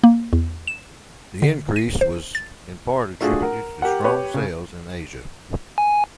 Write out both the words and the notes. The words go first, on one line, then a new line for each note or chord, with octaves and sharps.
The increase was in part attributed to strong sales in Asia.
A#3
E2
E7
D3
D#7
C5
A6
A3 D4 F4 F#4 G#4
A#4 F#5
G4 A#4 F#5
G4 B4 C#5
C#3
G#5